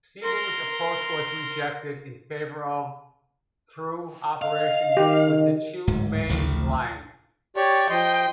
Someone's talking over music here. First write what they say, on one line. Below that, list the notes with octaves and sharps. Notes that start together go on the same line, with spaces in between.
Seibu's approach was rejected in favor of through operation with the Chuo Main Line.
A#4 C6
D#5 F5
D#3 G4
D1 G#2
A1 D2 C#3 F3
G4 C#5 D5
F3 D#5 G5 C6